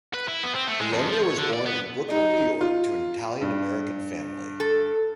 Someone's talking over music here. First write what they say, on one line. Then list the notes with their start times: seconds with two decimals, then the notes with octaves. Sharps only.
Bologna was born in Brooklyn, New York to an Italian-American family.
0.14 B4
0.28 E4
0.43 B3
0.55 C4
0.67 A3
0.81 G#3
0.93 F2
1.10 F3
1.23 C#5
1.37 D3
1.53 D5
1.66 B3
2.10 D#4
2.61 F4
3.41 G2
4.60 A4